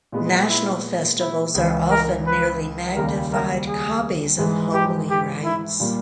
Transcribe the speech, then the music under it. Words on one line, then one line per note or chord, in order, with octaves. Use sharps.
National festivals are often merely magnified copies of homely rites.
A#2 G#3 B3
E4
E4
C#2 C#3 E3
A#4
B4
D#2 C#3 G3 A#4
A#4
G#4
G#2 E3 G#3
G4
G4
E4
A#2 G3 A#3